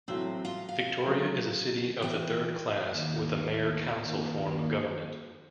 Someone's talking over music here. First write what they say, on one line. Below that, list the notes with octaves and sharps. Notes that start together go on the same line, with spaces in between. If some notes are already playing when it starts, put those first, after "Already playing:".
Victoria is a city of the third class with a mayor-council form of government.
A1 F#3 C4 E6
F4
F5
D3 F#3 A3
E3 B3 G5
D#2 D#3 A#3